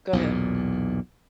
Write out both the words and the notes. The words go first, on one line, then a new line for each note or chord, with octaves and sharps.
go ahead.
B1 E2 A#2